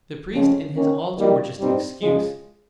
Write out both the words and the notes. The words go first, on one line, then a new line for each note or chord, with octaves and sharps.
The priest and his altar were just an excuse.
F2 C#3 G#3 C#4
D#3 A#3 C#4
D#3 G3 A#3 D#4
G2 G3 C4 D#4
C#3 F3 G#3